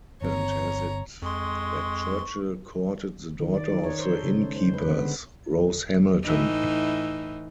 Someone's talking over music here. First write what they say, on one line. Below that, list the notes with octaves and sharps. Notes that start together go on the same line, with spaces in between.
Legend has it that Churchill courted the daughter of the inn keepers, Rose Hamilton.
G1 C4 C#5 A#5
F2 G#3 C6 C#6
D#3
D5
D#4
C#5
C5
A4
C#3
G#3
C5
B4
B3
D3
A2 E3 D#4